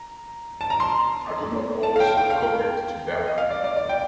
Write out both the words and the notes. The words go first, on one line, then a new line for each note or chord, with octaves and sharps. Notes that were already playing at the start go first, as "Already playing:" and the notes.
I do not also commit to that.
Already playing: A#5
A5
A#5
C6
A5
F5
G5
G5
F5
G5
D#5
F5
D5
D5
D5
G5